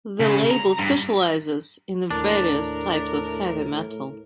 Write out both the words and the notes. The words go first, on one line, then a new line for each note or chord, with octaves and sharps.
The label specializes in various types of heavy metal.
C#3
A#5
G2
D#2 A2 D4 A#4